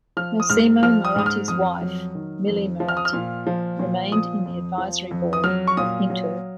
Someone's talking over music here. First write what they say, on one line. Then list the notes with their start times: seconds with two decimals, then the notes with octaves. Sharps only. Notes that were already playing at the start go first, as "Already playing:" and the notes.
Massimo Moratti's wife, Milly Moratti, remained in the Advisory Board of Inter.
0.17 F3 F6
0.40 D#6
0.50 G#2 F6
0.82 F3 F6
1.05 D#6
1.16 G#2 D#6
1.26 F6
1.48 F2 D#6
1.81 F#3
2.15 D#3
2.47 F2
2.80 F3
2.88 F6
2.97 D#6
3.05 F6
3.13 A#2
3.47 F3
3.79 A#2
4.12 F3 D#6
4.46 F2
4.78 F3
5.11 F2
5.33 D#6
5.44 F#3 F6
5.67 C#6
5.77 A#2 D#6
6.10 F#3